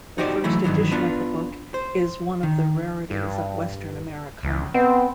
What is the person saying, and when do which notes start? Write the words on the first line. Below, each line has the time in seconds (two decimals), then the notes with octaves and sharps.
The first edition of the book is one of the rarities of western Americana.
0.18 D#4 F#4 G4 C5 D5
0.44 E3 F#3 A3 E4
0.64 G2 D#3 E3 F#3
0.91 B3 D4 F4 B4
1.74 C5
2.43 D#3
3.11 G2
4.43 C#2
4.74 B3 C4